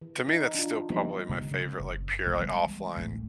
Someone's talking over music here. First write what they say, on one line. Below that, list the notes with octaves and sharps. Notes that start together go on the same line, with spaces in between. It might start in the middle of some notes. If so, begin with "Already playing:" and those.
To me, that's still probably my favorite, like, pure, like, offline,
E3
D#4
D4 F4
F3 G3 A#3 B3 D#4
D#1 C#3 G#3 B3
C#3
F#1
E1 B1 C#3 A3
E3 G3 G#3 B3
D1 A1 A3